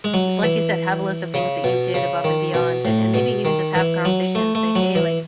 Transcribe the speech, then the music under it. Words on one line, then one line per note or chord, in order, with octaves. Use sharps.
y like, you said, have a list of things that you did above and beyond, and maybe even just have conversations, say, "Hey, like,
G#3
F#3
E3
C#3
B2
C#3
D#3
B2
A2
B2
D#3
E3
F#3
A3
A3
F#3
E3